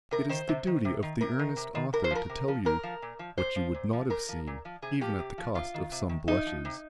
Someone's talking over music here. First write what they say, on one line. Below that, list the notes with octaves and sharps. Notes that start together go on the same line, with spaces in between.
It is the duty of the earnest author to tell you what you would not have seen--even at the cost of some blushes.
C3 A#4
D#3 C5
C3
D#3
C3
D#3
C3 A#4
D#3
C3
D#3
C3 A#4
C5
F3 A#4
C3
F3
A#2 A#4
F3
A#2
F3
A#2 C5
F3
A#2
F3
A#2 A#4
F3
A#2
F3
C3 G#4
F3 G4
C3
F3
C3 F4
D#3
C3
D#3
C3 D#4
F3
C3